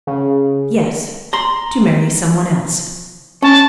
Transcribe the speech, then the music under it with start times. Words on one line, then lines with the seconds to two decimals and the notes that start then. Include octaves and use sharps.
"Yes--to marry some one else."
0.07 C#3
1.33 A#5 C6
3.42 C#4 A5